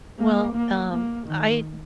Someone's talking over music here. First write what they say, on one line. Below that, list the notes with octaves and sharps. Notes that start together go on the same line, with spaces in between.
Well, um, I
A#3
A#3
A#3
D#3